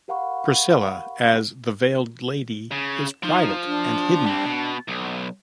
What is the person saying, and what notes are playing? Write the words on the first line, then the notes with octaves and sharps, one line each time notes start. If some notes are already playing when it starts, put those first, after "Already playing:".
Priscilla, as the Veiled Lady, is private and hidden.
G4 A#4 F5 F#5 B5 C#6
C#3
F3 D#4
D4
G3 C4
B2
B1